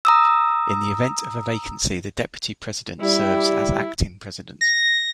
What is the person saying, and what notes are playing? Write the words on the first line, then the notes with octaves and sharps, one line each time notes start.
In the event of a vacancy the Deputy President serves as Acting President.
A#5 D#6 E6
G3 E4
A#6